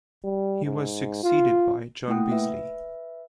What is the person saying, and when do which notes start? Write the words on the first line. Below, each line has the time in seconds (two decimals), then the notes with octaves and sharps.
He was succeeded by John Beazley.
0.24 G3
0.65 G#2
1.23 F4
2.08 A3 A#3 E4 F#5 G5 D#6
2.32 B4 E5